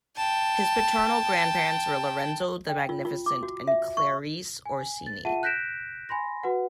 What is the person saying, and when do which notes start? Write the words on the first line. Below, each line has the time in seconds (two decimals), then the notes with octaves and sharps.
His paternal grandparents were Lorenzo the Magnificent and Clarice Orsini.
0.17 G5 A5
2.69 G5
2.89 F4
3.05 F4
3.26 D6
3.43 F#4
3.68 E5
3.97 C#6
4.66 G#5
5.07 A6
5.25 F4 G#4 E5 F#5 A5 D#7
5.43 F#6 G6 A#6 B6 D7 E7
6.09 G#5 B5 C6 A#6
6.43 F#4 B4 F#5